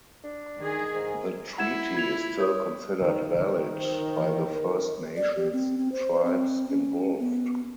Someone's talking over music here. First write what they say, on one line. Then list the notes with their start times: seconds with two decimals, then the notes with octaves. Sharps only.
The treaty is still considered valid by the First Nations tribes involved.
0.24 D4
0.59 D#3 G#4
0.95 G#2
1.58 E4 F#5 G#6 E7
1.95 F4 G#6 F7
2.38 A#4 C#5 D#6
3.01 D#3
3.38 D#3
3.77 C5
4.14 E3
4.52 A#4
5.16 D5
5.36 G4
5.53 C4
5.78 C4
5.92 C5
6.25 C4
6.69 C#4
7.20 B3